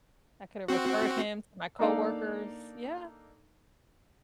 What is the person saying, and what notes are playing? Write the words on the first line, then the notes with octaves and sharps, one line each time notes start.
I could have referred him to my coworkers yeah,
C4 F#4
A#3 D4 D#4 A4 D5 F5